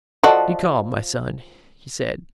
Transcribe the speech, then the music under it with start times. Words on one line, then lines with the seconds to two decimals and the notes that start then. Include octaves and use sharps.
"Be calm, my son," he said.
0.23 F3 F#4 A4 D5 D#5 F#5